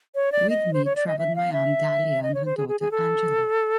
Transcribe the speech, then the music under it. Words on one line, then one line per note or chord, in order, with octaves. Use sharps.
With me travelled my Aunt Dahlia and her daughter Angela.
C#5
D5
D#5
C5
C#5
D5
D#5
E5
F5
E5
D#5
C#5
C5
G#4
G#4
G#4
A4